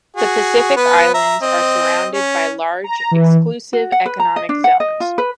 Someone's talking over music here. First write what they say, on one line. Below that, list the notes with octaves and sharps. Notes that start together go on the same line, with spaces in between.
The Pacific islands are surrounded by large Exclusive Economic Zones.
F#4 G#4
B3 B4
E5 A#5
C4 D#5
C#4
A#5
E3
F#4
F#5
B4
A#5
D#5
D4
F#5
D#5
F4
B4